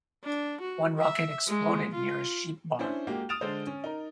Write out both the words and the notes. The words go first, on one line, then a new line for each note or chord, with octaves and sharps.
One rocket exploded near a sheep barn.
D4
F#4
E5
G#3
F4
C#4 D4 E4 C5
G#3 A#3 F#4 G4
D#6 F6 A6 D7 E7 F7
D3 G#3 A4 C5
C#4
D#4 A#4